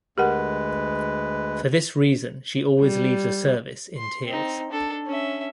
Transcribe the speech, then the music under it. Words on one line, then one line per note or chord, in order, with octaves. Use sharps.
For this reason she always leaves a service in tears.
D2 G#3 G4 A#4 B4 F#5
G3
C6
C4 D#4
D4 A4
C#4 E5